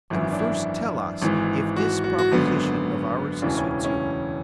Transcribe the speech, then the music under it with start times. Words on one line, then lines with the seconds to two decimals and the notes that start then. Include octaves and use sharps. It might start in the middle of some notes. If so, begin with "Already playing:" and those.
And first tell us if this proposition of ours suits you.
0.10 G#1 F#2 E3 E4
0.32 D4
0.39 E4
1.22 G#1 G#2 E3
1.76 F#4
2.04 F#4
2.19 F#4
2.32 G#1 F#2 D3 B3
3.42 E1 D2 C#3 E3 D4
3.57 C#4
3.84 C#4